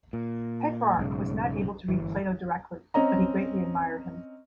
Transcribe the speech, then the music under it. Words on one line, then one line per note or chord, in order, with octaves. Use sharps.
Petrarch was not able to read Plato directly, but he greatly admired him.
A#2
B1 G#2 C#3
G1 E3
C4 C#4 D#5 A#5